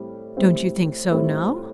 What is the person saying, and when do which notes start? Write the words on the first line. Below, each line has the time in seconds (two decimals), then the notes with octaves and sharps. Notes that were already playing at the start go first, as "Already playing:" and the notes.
"Don't you think so, now?"
Already playing: A2 G3 C4 E4
0.37 A2 G3 C4 E4
1.11 A2 G3 C4 E4